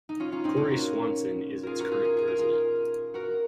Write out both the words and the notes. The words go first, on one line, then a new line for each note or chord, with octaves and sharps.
Kory Swanson is its current president.
D#4
C#4 F4
C#4 F4
C4 D#4
A#3 C#4
F#4 A#4
F4 G#4 A#4
F#4 A#4
F4 G#4
F4 G#4
G#4
A#4
F4 G#4
F#4 A#4